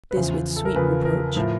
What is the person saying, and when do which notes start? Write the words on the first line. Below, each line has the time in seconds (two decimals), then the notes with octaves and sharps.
This with sweet reproach.
0.11 B4
0.15 E2 C#3 F3 C5
0.56 A4
0.65 A#4
0.76 E2 C#3 F3 B4
1.05 A#4
1.36 A2 F3